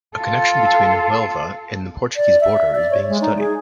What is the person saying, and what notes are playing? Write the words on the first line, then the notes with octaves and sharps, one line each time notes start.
A connection between Huelva and the Portuguese border is being studied.
F4 A4
D5
E5
D5
C#5
G#3
D#4
G#4